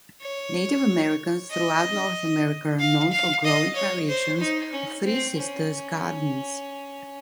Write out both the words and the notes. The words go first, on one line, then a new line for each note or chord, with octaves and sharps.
Native Americans throughout North America are known for growing variations of Three Sisters gardens.
C#5
D#5
F5
F5
D#5
C#5
C5
D#4
C#4
C4
C#4